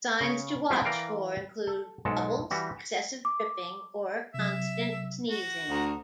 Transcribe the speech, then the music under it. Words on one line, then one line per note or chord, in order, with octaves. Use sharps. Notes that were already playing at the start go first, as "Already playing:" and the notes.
Signs to watch for include bubbles, excessive dripping, or constant sneezing.
C#3 C#5
F3 G3 G#3 B3 C4 E4
E3 A#4 D5 F5 G5
A4
B1 G#2 G#3 A4
E3 G3 F#4
D6
C3 F#3 E5
F#4
D2 F#5 A#5